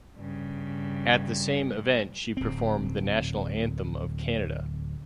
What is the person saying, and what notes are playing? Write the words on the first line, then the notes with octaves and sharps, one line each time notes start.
At the same event she performed the national anthem of Canada.
G2 C#3
D1 C4